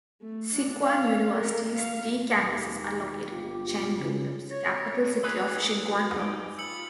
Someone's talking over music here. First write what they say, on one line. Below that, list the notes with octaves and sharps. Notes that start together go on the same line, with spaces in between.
Sichuan University's three campuses are located in Chengdu, the capital city of Sichuan Province.
A3
D4
F5
A#4
F5
D#2 G4
G1 F4
C#3
C#5
D#4 F#4 G#4 B4 D#6 E6
B3 F#4 G4
D#4 G4 G5
F4 B5 E6 C#7 F#7